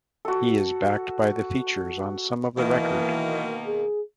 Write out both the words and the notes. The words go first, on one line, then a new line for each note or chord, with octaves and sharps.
He is backed by the Features on some of the record.
F#4 A4
B2 D#3 E3 A#3
G#4